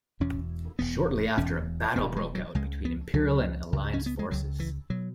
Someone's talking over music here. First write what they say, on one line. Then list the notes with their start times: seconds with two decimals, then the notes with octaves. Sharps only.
Shortly after, a battle broke out between Imperial and Alliance forces.
0.20 E1 E2 B2 C#4
0.79 E1 E2 B2 B3
1.38 E1 E2 B2 C#4
1.96 E1 E2 B2 B3
2.16 G#3
2.35 F#3
2.55 C#2 C#3 G#3
2.85 B3
3.13 C#2 C#3 F#3
3.73 C#2 C#3
3.94 C#4
4.06 B3
4.19 G#3
4.31 C#2 C#3 F#3
4.60 E3
4.90 B2 F#3